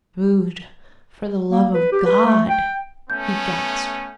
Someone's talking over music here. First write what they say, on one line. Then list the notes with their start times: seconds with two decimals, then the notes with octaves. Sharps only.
"Food, for the love of God," he gasped.
1.51 A#3
1.74 B4
1.92 G4
2.05 B4
2.26 A3
2.49 G5
3.10 A3 B3 C#4 G6